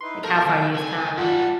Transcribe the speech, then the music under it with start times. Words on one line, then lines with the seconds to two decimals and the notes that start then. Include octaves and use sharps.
like, how far you've come
0.01 D#4 E4 B4 C6
0.24 B2 A#3 A4 A#4 G6
0.45 D#3
0.74 C#2 C4 G#5
1.18 F#2 G3 F4 F#5 A5